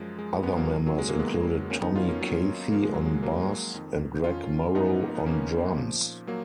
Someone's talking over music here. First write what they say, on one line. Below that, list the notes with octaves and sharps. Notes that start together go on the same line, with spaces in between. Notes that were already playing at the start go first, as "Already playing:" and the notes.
Other members included Tommy Cathey on bass and Greg Morrow on drums.
Already playing: F#2 F3 G#3
G#3
G#3 B3
F#3 A#3
F2 D#3
F#3
G#3
A#3
G#3 B3
F2 D#3 A#3 C#4
B3 D#4
C#4 F4
A#3 C#4
F#3
G#2 F3 A#3
G#3
F#3
G#3
F#3 A#3
F2 D#3
C#4 F4
G#2 F3 B3 D#4
A#3
B3
A#3 C#4
A#2 F3
F#3 A#3